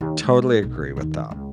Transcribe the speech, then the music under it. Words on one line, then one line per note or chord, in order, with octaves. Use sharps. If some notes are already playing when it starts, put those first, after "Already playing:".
Totally agree with that.
D#2
G#3
B1
D#2 D#3
C#2